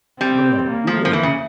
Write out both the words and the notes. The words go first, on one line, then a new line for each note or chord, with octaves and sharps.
"What am I doing?"
G3 C4
A#3
F3
F3
E3
C#3